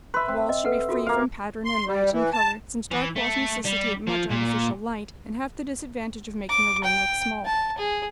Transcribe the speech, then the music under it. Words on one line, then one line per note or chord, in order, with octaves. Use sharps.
The walls should be free from pattern and light in color, since dark walls necessitate much artificial light, and have the disadvantage of making a room look small.
B4 E5 C6
C4
D#5
A4 B4 F#5
F4 F#4 A4
A#3 F5
C6
G3
E3
A5
E3
A3
G3
F3
A#2
D6
G5
A5
G#4